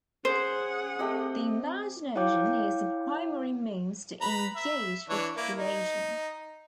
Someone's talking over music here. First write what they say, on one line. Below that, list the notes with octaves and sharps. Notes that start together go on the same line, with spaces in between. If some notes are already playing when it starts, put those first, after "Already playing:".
The Imagination is the primary means to engage with Creation.
C#4 G#4 C5 F#5
A3 C4 G4 D#5
E4 C#5 F5 G5 D6 G6
B4 A#5 B5
E5
E3 D4 C#5
A#3 E4
D#4